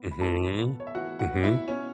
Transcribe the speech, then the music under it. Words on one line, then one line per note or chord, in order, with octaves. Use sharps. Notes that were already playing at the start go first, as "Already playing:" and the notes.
Mhm, mhm.
Already playing: B3
B5
E3 A4 A5
B3
C#5
E5
E3 F#4 F#5
F#4 F#5
B3
E4 E5
B2 C#4 C#5